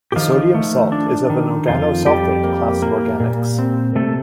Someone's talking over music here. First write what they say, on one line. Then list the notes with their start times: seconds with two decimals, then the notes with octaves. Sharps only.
The sodium salt is of an organosulfate class of organics.
0.12 G4
0.16 D#3 F3 F4
0.54 A3
0.92 D4
1.30 D#3
1.68 F2 F3 F4
2.06 F2 G3 G4
2.44 A#3
2.82 A#3
3.20 A#2
3.59 C4
3.95 C3 A3 A4